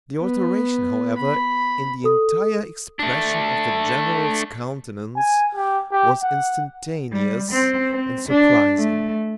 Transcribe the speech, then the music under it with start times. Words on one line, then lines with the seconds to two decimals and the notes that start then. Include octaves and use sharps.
The alteration, however, in the entire expression of the General's countenance was instantaneous and surprising.
0.21 B3
1.18 B5
2.04 A4 D#6
2.99 A3 D4
5.17 G#5
5.55 G4
5.91 G4
6.23 F#5
7.12 G3
7.51 C4
7.91 C4
8.28 D4
8.77 A3